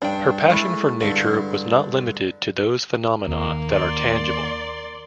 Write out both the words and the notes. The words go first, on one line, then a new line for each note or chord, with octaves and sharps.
Her passion for nature was not limited to those phenomena that are tangible.
G2 D4 G5
G#3 A3 E4
G2 D3
D#2 A#3
D5 C6